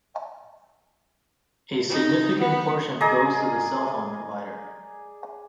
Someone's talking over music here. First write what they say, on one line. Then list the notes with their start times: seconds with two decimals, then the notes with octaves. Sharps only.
A significant portion goes to the cell phone provider.
1.90 D#4
2.39 B3
3.01 G#4 D5 D#5 A#5